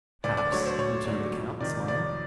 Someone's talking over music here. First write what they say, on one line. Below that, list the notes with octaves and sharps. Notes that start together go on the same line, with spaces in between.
"Perhaps," returned the count, smiling.
D2 D5
D5
D3 F#3 A3 C#5
C5
D2 C#5
D3 F#3 A3 D5
F2
C3 D#3 D5
F2 D5